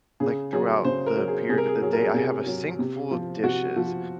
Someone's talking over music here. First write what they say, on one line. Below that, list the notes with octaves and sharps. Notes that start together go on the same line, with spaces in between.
like, throughout the period of the day, I have a sink full of dishes,
C#3 G#4
F#3 G#4
C#3 C5
A#4
F#3
G#4
C3 G#4
A#4
G#4
A#4
F#3 G#4
A#4
G#4
C3 G#4
F#3
C3
F3
C3 F#4
F3